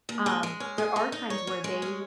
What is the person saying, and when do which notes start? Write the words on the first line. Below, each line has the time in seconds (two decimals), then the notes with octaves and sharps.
Um, there are times where they
0.09 D#2
0.26 G#3
0.43 G#3
0.60 C#4
0.78 G#4
0.96 D#4
1.12 D#4
1.30 C#5
1.47 C#4
1.64 G#3
1.82 C#4